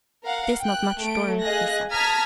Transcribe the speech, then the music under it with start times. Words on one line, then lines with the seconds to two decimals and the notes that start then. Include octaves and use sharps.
"This not much storm," he said.
0.23 A#4 F5 F#5
0.62 G5 F#6
1.00 A3 D7
1.42 G#4 D#5 F5 G#5 F#6 A#6
1.93 A5 A#5 D#6 F6 G#6 B6